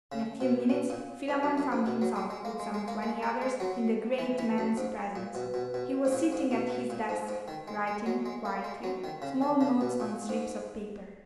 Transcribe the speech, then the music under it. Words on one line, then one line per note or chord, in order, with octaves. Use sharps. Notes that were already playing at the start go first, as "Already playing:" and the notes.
In a few minutes Philammon found himself, with some twenty others, in the great man's presence: he was sitting at his desk, writing, quietly, small notes on slips of paper.
C#3
B2
B2
A#2
G#2
F#2
F#2
G#2
B2
F#3
G#3
G#3
A#3
G#3
G#3
A#3
G#3
G#3
G#3
F#3
E3
E3
F#2
G#2
A#2
B2
B2
B2
G#2
A#2
G#2
B2
B2
A#2
G#2
G#2
D#3
G#3
G#3
F#3
G#3
A#3
G#3
F#3
D#3
C#3
D#3
C#3
B2
A#2
G#2